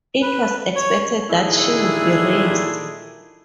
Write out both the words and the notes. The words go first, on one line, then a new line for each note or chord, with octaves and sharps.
It was expected that she would be raised.
B4
C#5
A#2 D#3 D4 E4 G#4 A4